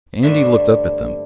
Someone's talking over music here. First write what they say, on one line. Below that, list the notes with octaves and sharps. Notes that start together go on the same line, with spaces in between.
Andy looked up at them.
G2 D3 A3 D4 C5 E5